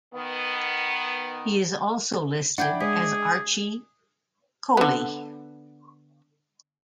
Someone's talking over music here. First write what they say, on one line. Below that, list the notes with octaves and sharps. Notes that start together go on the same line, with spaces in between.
He is also listed as Archie Coley.
D#3 B3
D4 E4 B4 F#5 G5 G6 G#6
G#3 G#4 B6
D3 B3